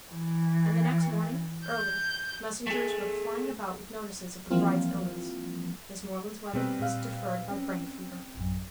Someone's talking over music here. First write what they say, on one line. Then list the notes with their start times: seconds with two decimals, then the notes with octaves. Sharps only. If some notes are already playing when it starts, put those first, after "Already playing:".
And the next morning, early, messengers were flying about with notices of the bride's illness.--Miss Moreland's wedding was deferred by brain fever.
0.12 E3
1.65 G6
2.67 A3 G#4
4.50 E3 F3 G3 A#3 C4 F4
6.53 B2 G3 C4 B4
6.80 A#2 F5
7.51 C#4
8.35 A1 F#2